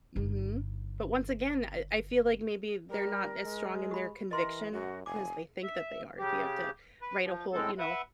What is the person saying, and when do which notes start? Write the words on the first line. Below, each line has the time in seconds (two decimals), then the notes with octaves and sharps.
Mhm. But once again, I I feel like maybe they're not as strong in their conviction as they think that they are. If you have to write a whole you know,
0.16 G1 D#4
2.90 G3 A#4
3.43 G#3
3.91 G4 B5
4.31 E3 A#4 D#5 C6
4.72 F#2 F#4
5.06 F1 G#5 D6
5.63 E5
6.18 C#3 G4
7.01 B4
7.22 F3
7.53 A2 G#3 C4 A4
7.79 B4 E5 F#5